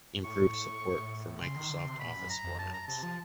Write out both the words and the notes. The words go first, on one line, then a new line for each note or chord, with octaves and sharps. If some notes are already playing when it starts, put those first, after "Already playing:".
Improved support for Microsoft Office formats.
A2 C#6
C#3 C6
D#3
D3
C3
A#2 B5
F#2
A#5
F2
F#2 A5
A#5
C3 A5
F3 A5